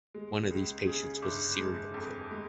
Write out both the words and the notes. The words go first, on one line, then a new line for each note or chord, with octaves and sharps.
One of these patients was a serial killer.
G#3
C#2
C#3 G#4
G1
G#3
F2
G#3